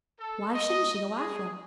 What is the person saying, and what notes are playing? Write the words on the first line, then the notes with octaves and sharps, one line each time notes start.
Why shouldn't she go, after all?
A4
D#5
G#4